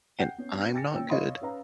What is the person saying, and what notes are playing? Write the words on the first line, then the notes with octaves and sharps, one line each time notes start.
and I'm not good
F#5 G5 G6 C7
B3 C#4
G5 G#5 A6 A#6 C#7
A#2 C#4 G5 E6
C#5 D#5 F5 B5 C6 D#6
C#4 B4 F5 A#5